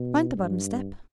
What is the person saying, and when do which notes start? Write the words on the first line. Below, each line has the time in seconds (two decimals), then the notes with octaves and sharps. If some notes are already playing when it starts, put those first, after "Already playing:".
Mind the bottom step.
Already playing: B2
0.37 G2